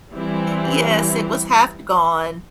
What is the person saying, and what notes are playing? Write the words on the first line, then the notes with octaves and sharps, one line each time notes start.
Yes. It was half gone.
E3 G3 C4 E4